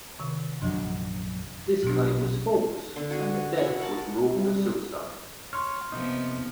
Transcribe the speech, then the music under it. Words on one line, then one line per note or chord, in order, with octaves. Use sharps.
This claim was false, and the death was ruled a suicide.
C3 D#3
A#1 F#2 F3 F#3 D4
A#1 B2 F#3 D4 G4
D3
F#4 G#4
E4 F#4
A#4 F#5 A5
G3
C#5 C6 F6
C3 F3 A#3 B3 D#4